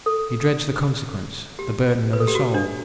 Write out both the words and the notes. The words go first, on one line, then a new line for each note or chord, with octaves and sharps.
He dreads the consequence--the burden of a soul.
A4
G4
B4
A4
G4
F#4
D4